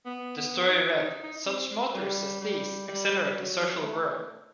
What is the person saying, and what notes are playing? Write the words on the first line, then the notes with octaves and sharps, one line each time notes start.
The story read, Such motors as these accelerate the social whirl.
B3
B3
D#4
D#4
D#4
D#4
C4
G3
G3
G3
F#3
A3